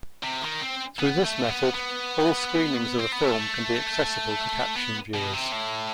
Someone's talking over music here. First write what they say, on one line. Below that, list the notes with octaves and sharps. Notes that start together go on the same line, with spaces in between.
Through this method, all screenings of a film can be accessible to caption viewers.
C3
D#3
C4
B3
A3
B3
B3
C4
B3
A3
B3
B2
C3
A2